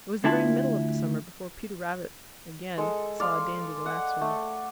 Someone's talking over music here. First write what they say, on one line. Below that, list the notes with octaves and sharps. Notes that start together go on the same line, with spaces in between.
It was the very middle of the summer before Peter Rabbit again saw Dandy the Waxwing.
D2 D4 E4 F4 A5
G#3 A4
D5 F5 C6
F#5
A3